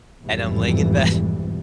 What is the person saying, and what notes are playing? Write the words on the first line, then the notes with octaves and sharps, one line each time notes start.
and I'm laying in bed
A1 F2 G#2 B2 E3 G3